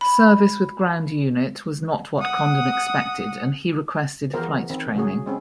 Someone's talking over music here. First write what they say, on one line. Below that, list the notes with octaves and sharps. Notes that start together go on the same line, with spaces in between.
Service with ground unit was not what Condon expected and he requested flight training.
B5
F#5 D#6
E3 F3 B3 G#4 A#4 C5
D#3 C4
C#3 F#3 F#4 G#4
G#3 C4 C#4